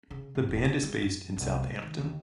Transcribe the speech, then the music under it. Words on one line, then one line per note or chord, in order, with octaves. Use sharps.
The band is based in Southampton.
C#3
G#1
E1
C4
G#3
F#2
C2
A3
D#3
D#2